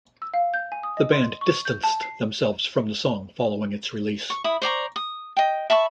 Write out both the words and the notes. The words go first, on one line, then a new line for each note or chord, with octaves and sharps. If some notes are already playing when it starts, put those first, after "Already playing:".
The band distanced themselves from the song following its release.
E6
F5
G6
G#5
D#6
D#5
C6
C#6
G6
A5
C7
C#6
E4 B5 D#6
C5 D5 A#5 C#6
D#6
D#5 G5
E5 A5 B5 C#6